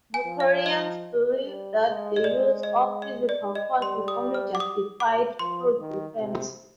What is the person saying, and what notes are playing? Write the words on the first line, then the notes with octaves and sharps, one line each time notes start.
The Koreans believe that the use of physical force is only justified through defense.
G#5
F3
F5
D#5
G3
G#3
D#5
G#3 D5
D#5
D#5
D5
D#5
G3 C6
D#6
F6
D6
D#6
D6
F3 C6
D#3
C3